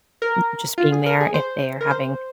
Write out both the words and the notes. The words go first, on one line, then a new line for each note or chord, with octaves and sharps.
n just being there if they're having,
A#4
F4
G#4
A#4
G#4
C5
A#4
C5